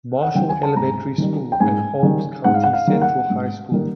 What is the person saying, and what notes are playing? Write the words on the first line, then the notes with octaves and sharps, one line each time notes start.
Marshall Elementary School and Holmes County Central High School.
F#5
D#3 G3 G5
G#5
A5
G#2 A#5
D#3 G3
G5
G#2 G#5
D#3 G3
G#2 F#5
F5
F#5
F5
D#3 G3 A#3
F#5
G#2
D#3 G3 A#3